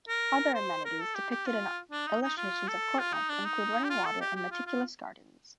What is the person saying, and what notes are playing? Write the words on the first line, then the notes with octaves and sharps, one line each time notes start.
Other amenities depicted in illustrations of court life include running water and meticulous gardens.
A#4
C5
A#4
A4
G4
G4
F4
D4
D#4
D#4
F4
A4
F4
D#4
D4
D#4
G4
F4
A4
G4
G4
F4
F4